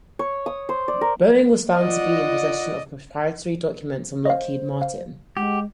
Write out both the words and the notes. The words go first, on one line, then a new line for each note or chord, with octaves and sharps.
Boeing was found to be in possession of proprietary documents from Lockheed Martin.
C#5
D#6
C5
D5
A#4
F4 D5 D#5 F#5
C5 D#5 F5
F5
G#3 G4 F#5